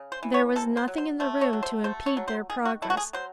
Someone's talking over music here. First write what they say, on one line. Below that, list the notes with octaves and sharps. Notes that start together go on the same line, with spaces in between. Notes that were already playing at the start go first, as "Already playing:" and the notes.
There was nothing in the room to impede their progress.
Already playing: C#3
C5
E3
C#5
C3 A4
C5
F#3
C5
A3 C5
C#5
F#3
C5
A3 C5
C#5
F#3
C5
D#3 G#4
F#4
A3 E4
F#4
G#4
F#3 C5